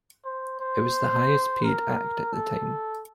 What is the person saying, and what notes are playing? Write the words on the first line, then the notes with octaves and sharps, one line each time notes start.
It was the highest paid act at the time.
C5
C5
A#4
A4